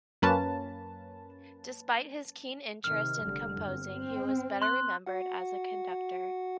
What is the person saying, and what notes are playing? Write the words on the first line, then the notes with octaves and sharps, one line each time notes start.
Despite his keen interest in composing, he was better remembered as a conductor.
F#2 A#3 C#4 B4 A5
C3 D#3 F6
F1 D3 G3
G1 C4
C4
C6 F#6
F#4 F#5